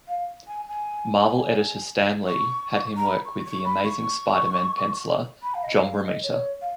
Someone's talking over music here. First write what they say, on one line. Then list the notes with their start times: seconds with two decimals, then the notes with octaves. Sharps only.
Marvel editor Stan Lee had him work with "The Amazing Spider-Man" penciler John Romita.
0.08 F5
0.48 G#5
0.68 G#5
2.26 C#6
2.97 A#5
3.06 B5
3.25 C#6
3.45 C#6
3.65 B5
3.84 C#6
5.43 B5
5.54 F5
5.63 D#5
5.82 F5
6.03 D#5
6.22 C#5
6.61 F5